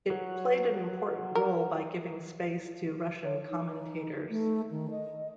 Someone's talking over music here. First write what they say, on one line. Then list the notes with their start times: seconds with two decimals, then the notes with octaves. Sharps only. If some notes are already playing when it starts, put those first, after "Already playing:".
It "played an important role by giving space to Russian commentators".
0.10 F#3
1.35 A#4
3.24 C#5
3.50 D#4
4.30 A3
4.71 D#3
4.91 D#5